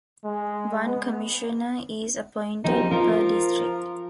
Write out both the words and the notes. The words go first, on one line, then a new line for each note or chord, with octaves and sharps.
One commissioner is appointed per district.
G#3
B3
F#1 F3 G3 C4 D#4
F3 F4 A#4